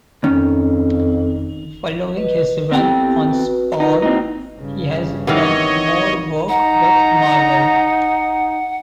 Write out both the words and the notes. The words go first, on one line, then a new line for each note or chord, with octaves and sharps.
Following his run on "Spawn" he has done more work with Marvel.
F2 D#3 C#4
B4 D#5
B3 C4 E4 G4 A4 G5
F#4 B4
D#4 F4 A#4 B4
A#3 C4 D#4 E4 F#4
G2 C#3
C3 D#3 E3 B3 C#5 D#5 F5
D#4 F#5 A#5